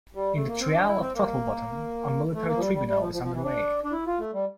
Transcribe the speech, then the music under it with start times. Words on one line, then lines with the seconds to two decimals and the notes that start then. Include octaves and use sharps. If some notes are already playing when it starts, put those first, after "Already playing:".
In the "Trial of Throttlebottom" a military tribunal is underway.
0.15 G3
0.35 A3
0.47 A#3
0.60 C4
0.74 D4
0.87 E4
1.00 C4
1.14 A#3
2.34 A3
2.47 A#3
2.56 F3
2.60 G3
2.74 G3
2.87 G3
3.00 F3
3.12 F3
3.23 F3
3.33 E3
3.44 D4
3.84 D4
3.92 E4
4.07 F4
4.19 A3
4.33 G3